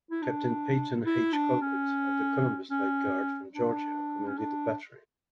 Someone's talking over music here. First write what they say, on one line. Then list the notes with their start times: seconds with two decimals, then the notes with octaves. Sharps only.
Captain Peyton H. Colquitt of the Columbus Light Guard from Georgia commanded the battery.
0.11 E4
0.22 D4
1.06 E4
1.33 D4
1.61 C#4
2.71 C#4
3.54 D4
4.28 C#4
4.37 D4